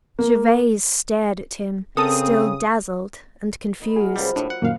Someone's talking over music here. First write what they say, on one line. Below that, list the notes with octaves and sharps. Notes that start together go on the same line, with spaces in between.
Gervase stared at him, still dazzled and confused.
A#3
C#3 C4 A4 A#4 A5 D#6
A#2 D#4 B5
F#4 G#4 A#4
C#2 F#3 G3 C5 B5
A2 D4 E5
F5 F#5
F#2 A#2 D#3 A#3 F4 F5